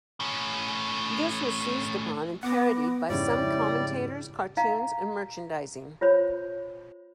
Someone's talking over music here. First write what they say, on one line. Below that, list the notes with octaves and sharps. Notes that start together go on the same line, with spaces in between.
This was seized upon and parodied by some commentators, cartoons, and merchandising.
A2 C#4
B3 F#5 D6 A#6
F2 G#2 C#3 G3 E4 C#5 D5
D#4 F5 A#5
F4 C5 C#5 B5